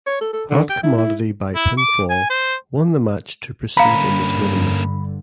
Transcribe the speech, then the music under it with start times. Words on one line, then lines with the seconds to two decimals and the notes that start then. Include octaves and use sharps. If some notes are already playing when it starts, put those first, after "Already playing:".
Hot Commodity by pinfall won the match to proceed in the tournament.
0.07 C#5
0.21 A4
0.33 A4
0.50 D3
0.70 G5
0.83 E4
0.98 E4
1.55 E4
1.77 D6
2.10 G#5
2.30 C5
3.77 G2 D3 A#3 C#4 F5 A#5 B5